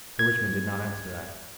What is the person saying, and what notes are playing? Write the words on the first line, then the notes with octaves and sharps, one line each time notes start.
Sir Richmond did not answer that....
G#6